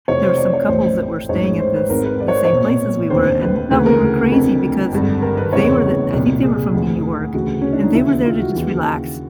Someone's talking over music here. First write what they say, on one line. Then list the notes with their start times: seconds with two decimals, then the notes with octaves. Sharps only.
there were some couples that were staying at this the same place as we were, and they thought we were crazy because they were the I think they were from New York, and they were there to just relax.
0.08 F1 F2 C3 E3 C#5
0.23 C5
0.38 D5
0.54 C#5
0.68 A1 A2 E3 C5
1.29 A1 G#2 E3 C#5
1.59 C5
1.75 B4
1.89 G#1 G#2 D#3 A#4
2.04 B4
2.20 D5
2.28 C#5
2.36 C5
2.45 C#5
2.50 B1 A#2
3.10 F1 D#2 D3 C5
3.41 B4
3.71 D2 C#3 E3 B4
3.86 A#4
4.32 F1 F2 D3
4.92 G#1 G2 D3
5.22 A#4
5.37 B4
5.53 F1 E2 C#3 E3 C#5
6.13 C2 A#2
6.43 G#4
6.74 D2 C3 E3
7.34 D2 C#3 E3 F#4
7.62 C#4
7.73 D4
7.83 D#4
7.94 D#2 C#3 E3 E4
8.25 F4
8.40 F#4
8.55 D#2 C#3 E3